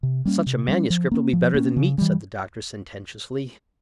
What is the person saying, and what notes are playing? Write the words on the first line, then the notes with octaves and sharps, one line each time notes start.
"Such a manuscript'll be better than meat," said the doctor, sententiously.
C3
G3 A#3 C#4
C3
G3 A#3 C#4
F3
A#3 C#4
F3
A#3 C#4
C#3
E3 G3